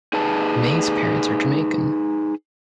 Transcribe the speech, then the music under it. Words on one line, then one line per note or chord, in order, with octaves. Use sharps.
May's parents are Jamaican.
D#4 G#4 B4 A5